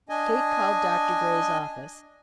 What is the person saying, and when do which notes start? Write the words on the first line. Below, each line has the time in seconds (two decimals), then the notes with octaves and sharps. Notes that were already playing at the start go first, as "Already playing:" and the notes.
Kate called Dr. Gray's office.
0.09 D4 D#5 G#5